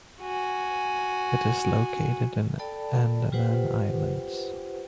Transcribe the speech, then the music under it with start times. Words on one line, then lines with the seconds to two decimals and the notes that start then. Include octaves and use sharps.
It is located in the Andaman Islands.
0.22 F#4 G#5
2.58 A4 D5 G5 A5 B5
3.32 F4 G4 B4 C5 F#5 G5